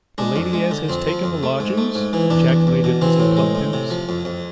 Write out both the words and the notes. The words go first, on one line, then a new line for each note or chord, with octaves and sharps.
The lady as has taken the lodgings!' ejaculated Mrs. Cluppins.
G#3 D4
F2
G#3
D3
F2 C4
F3
F2
A3
G#2
A3
G#2
E3
E2 D4
E2
E2
B2
E3 C4
A2
G#3
A2
C3
F3
F2
F2